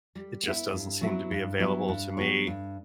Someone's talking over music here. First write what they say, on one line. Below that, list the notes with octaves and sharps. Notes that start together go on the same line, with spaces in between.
it just doesn't seem to be available to me
G3
B3 E4
G2
F#3 B3 E4
G2
F#3 B3 E4
G2
F#3 B3 F#4 C#5
G2